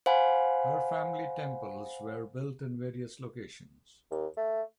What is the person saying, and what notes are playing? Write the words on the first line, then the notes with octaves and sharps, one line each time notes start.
Her family temples were built in various locations.
C5 F5 F#5 G#5 B5
D#2
A3